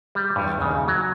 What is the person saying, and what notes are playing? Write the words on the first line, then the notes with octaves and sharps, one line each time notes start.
but, uh
G3
G2
C#3
F#3